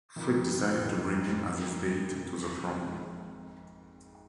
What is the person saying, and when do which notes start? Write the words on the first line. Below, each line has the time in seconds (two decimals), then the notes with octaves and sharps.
Fricke decided to bring him as his date to the prom.
0.16 F1 F2 F3 A#3 D#4
0.82 F1 F2 F3 A#3 D#4
1.48 F1 F2 F3 A#3 D#4
2.13 F1 F2 F3 A#3 D#4
2.80 G#1 G#2 F3